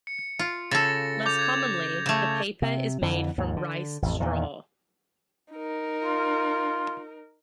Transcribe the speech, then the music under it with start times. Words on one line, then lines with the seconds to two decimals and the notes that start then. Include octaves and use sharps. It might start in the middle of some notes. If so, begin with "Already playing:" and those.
Less commonly, the paper is made from rice straw.
0.07 C#7
0.39 F4
0.71 C#3 A4 A6 A#6
1.26 D6 G6 F7
1.39 G#6
2.06 C#3 A3
2.62 C3
3.02 F2 D3 E3
3.38 D#2 G#2
3.57 D3
4.02 A1 F2
4.20 E2 A#2 D#3
5.53 D#4 A#4
6.04 F4